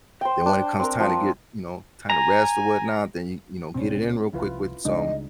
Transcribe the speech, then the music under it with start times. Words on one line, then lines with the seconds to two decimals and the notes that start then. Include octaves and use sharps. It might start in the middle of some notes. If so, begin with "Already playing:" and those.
then when it comes time to get, you know, time to rest or whatnot, then you you know, get it in real quick with some
0.21 C5 G5
0.46 D4
0.79 C4 A#4
1.00 F3
2.10 G#5 A#5
3.74 C#2 B2 A#3 C4 C#4
4.33 C2 F3 E4 F4 B4
4.85 C#2 C#3 G3 G#3 D4 D#4 D#5